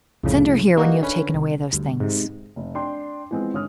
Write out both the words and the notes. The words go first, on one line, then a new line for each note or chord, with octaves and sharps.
"Send her here when you have taken away those things."
C2 F2 A2 C#3
G3 A#3 D#4 F#4
D3 C#4 B4
C2
D2 G2
G#2 C3
F1
D4 G5 C6
E3 F3 G#3 B3 C4
G#1 D3 C#5 D#6 F6